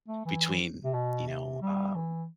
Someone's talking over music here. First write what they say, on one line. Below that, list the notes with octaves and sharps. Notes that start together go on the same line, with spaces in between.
between, you know, um,
A3
E3
C3
B2
C3
G3
E3